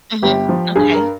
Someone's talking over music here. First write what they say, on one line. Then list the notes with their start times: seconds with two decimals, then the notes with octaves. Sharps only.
Mhm. Okay.
0.22 G1 G4
0.49 F3
0.76 G2 G#4
0.93 A#4